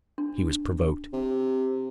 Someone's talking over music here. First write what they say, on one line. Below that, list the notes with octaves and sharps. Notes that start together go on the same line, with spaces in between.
He was provoked.
D4
C3